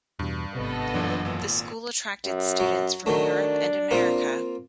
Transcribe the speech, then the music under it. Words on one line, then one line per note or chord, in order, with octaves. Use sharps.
The school attracted students from Europe and America.
E2 G2 B2 E3
G#1 C3 B3 A4 D#5
G1 F#2 A#2 E3 F#3 D4
G#1 A#2
F#2
F#3
D#3 F#3 A3 D4
A#3 C4 F4